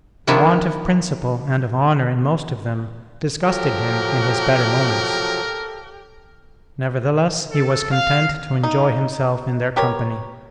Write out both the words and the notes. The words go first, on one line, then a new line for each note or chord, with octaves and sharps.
The want of principle and of honour in most of them disgusted him in his better moments; nevertheless he was content to enjoy himself in their company.
D#3 F3 B3 D4 E4 A#4
F3 F#3 G4 A4 A#4
A4
F5
D#4
B3 G4 A#4 C#5